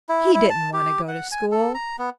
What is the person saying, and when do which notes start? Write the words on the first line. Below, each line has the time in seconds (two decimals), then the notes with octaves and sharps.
He didn't want to go to school.
0.09 E4
0.34 E4
0.50 A5
0.73 G4
1.08 F#5
1.32 G#5
1.52 A4
1.74 A#5
1.99 B3